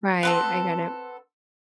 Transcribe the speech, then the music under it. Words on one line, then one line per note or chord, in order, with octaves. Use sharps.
Right, I get it.
B3 C4 A4